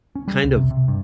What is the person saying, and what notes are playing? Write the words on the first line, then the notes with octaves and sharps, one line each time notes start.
kind of
C#4
G3
C2
C3
C3
G2